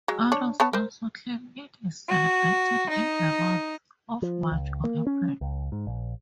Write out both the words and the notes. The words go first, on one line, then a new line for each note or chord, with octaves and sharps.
Others also claim it is celebrated in the months of March or April.
F#3 G#3
D4 C#5
B3 C#5 A5
A#4 C5
F#4
D#4
F3
C#2
A#3
C#4
C#2
G#2
A#1